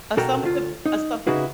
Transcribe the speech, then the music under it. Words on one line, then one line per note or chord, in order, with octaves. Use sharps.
Assumptive assump
B2 F#4 A4 A#4 G5 A#5
D2 F4
D#4
C#3 D#4 E4 F#4 G#4 B4